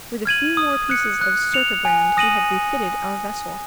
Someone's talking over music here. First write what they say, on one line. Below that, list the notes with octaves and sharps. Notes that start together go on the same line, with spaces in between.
With a few more pieces of surturbrand he had refitted our vessel.
F6 G#6 D#7 F#7
D#6
F#6 C#7
F#6
C#7 F7
G#5
D#6 A#6 D#7 F#7